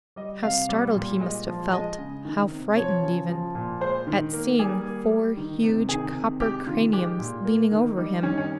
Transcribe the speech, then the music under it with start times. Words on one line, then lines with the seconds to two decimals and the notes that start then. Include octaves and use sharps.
How startled he must have felt, how frightened even, at seeing four huge, copper craniums leaning over him!
0.16 G3 D#5
0.43 C3 F5
0.69 G3
0.95 A#2
1.21 G#3 D#5
1.47 F3
1.73 G#3 D#5
1.98 C#3
2.25 D#3
2.51 C3
2.77 F3 C#5
3.03 C#3
3.29 F3
3.55 A#2
3.81 G#3 C5
4.07 D#3
4.33 A#3 A#4
4.59 G3 G#4
4.85 A#3
5.11 G3
5.37 D#3
5.63 C3
5.89 D#3 G#4
6.15 C3
6.41 G#3 G4
6.67 D#3 F4
6.93 G#3 G4
7.19 A#2
7.45 A#3
7.71 D#3
7.97 G3 D#4
8.23 D#3 C#4
8.31 D#4
8.38 C#4